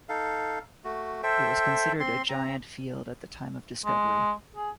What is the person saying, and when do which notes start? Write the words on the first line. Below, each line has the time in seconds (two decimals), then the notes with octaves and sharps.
It was considered a "giant" field at the time of discovery.
0.09 D#4 A4 F5
0.84 A3 F#4
1.23 A4 C5 E5 G5
2.00 C4 C6
2.29 C4 A#5
3.85 G#3
4.56 G#4